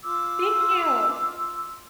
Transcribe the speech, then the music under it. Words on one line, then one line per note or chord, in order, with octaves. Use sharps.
Thank you.
F4 D6 E6